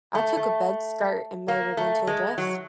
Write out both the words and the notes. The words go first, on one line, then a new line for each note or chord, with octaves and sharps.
I took a bed skirt and made it into a dress.
A3
A3
A#3
A3
G#3
F#3